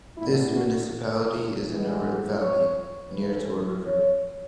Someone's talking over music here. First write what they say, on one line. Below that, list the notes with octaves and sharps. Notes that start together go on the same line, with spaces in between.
This municipality is in a valley, near to a river.
A2 E3 B3 D4 E4
F#4
A1 A2 E3 G#3 B3
C#5
A1 A2 E3 A3 C#4 B4
C#5